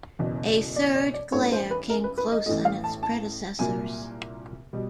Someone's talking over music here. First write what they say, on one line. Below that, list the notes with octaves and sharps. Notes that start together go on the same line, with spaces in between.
A third glare came close on its predecessors.
F#1 E2 B2
D5
D5
D5
A1 G2 E3 A3 C#5
C5
B4
A#4
B4
B4
D#5
A1 A2 E3 A3 D#5
F5
A5
A5
C2 A#2 F#3 A#3 G#5
B2 G3